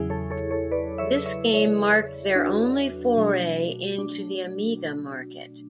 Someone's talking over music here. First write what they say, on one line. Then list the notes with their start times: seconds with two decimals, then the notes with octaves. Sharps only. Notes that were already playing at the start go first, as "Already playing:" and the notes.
This game marked their only foray into the Amiga market.
Already playing: E2 C#3 F#3 E4 G#4
0.10 A4 C#5
0.31 A4 C#5
0.51 A4 C#5
0.71 B4 D5
0.98 C#5 E5
1.26 C#5 E5
1.53 C#5 E5
2.35 D4 F#4
3.17 B2 F#3 A3
3.98 D4